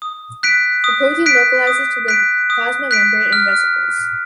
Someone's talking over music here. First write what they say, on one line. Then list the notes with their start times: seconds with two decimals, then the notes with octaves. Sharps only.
The protein localizes to the plasma membrane and vesicles.
0.02 D#6
0.43 F#6 B6 D7
0.84 D#6
1.26 F#6 B6 D7
1.67 D#6
2.08 F#6 B6 D7
2.50 D#6
2.91 F#6 B6 D7
3.33 F6